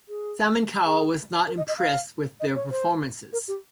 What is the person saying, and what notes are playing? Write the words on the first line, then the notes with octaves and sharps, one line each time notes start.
Simon Cowell was not impressed with their performances.
G#4
G#4
A#4
D#5
D#5
F5
D#5
C#5
C5
A#4
G4